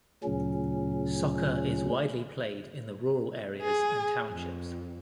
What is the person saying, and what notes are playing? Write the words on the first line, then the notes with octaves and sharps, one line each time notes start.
Soccer is widely played in the rural areas and townships.
D2 A#2 C#3 F#3 C#4
G#4
F2